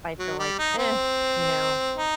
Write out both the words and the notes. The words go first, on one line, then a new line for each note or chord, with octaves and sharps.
I feel like, eh, you know?
F#3
G3
D#4
C4
D#4